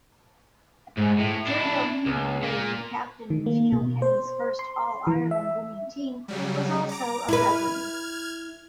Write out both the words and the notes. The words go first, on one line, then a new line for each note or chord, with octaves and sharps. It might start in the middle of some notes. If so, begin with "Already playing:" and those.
Jer Doheny, who captained Kilkenny's first All-Ireland winning team, was also a cousin.
G#2
A2
D4 E4
C#2
A#2 A#3
D#3
A#3
B2
C5
C6
E3
E5
C#3 F#3 G3
A#5 D6
E4 B4 F6 G#6